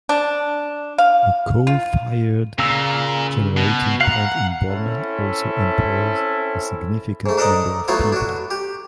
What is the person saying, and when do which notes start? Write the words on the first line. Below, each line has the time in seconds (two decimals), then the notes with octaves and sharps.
A coal-fired generating plant in Boardman also employs a significant number of people.
0.09 D4
0.98 F5
1.67 F4
2.59 A#2 C#3 A#5 E6
3.57 B2
4.01 F5 F#5 A#5
4.69 C4 C#4 E4 A4 E5
7.26 G#2 A3
7.37 D4 A4 A#4 D5 D#5
7.88 F#3 A3 B3 E4 F4
8.12 D4 F#4
8.51 G4